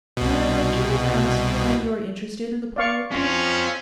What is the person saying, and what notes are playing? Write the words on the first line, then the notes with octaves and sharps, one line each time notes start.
May I venture to ask why you are interested in the poor old thing?'
C2 B2
D5 F5 C#6
C4 C#4 F4